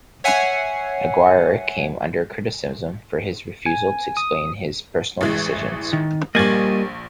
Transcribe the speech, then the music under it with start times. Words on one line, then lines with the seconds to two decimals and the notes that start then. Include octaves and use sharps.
Aguirre came under criticism for his refusal to explain his personnel decisions.
0.24 C#5 E5 F#5 G#5 C7 C#7
3.66 G#5
4.17 D#6
5.21 A1 E3 G#3
5.93 D#3
6.35 A#1 G3 A#3 D#5 G#5 A6 F#7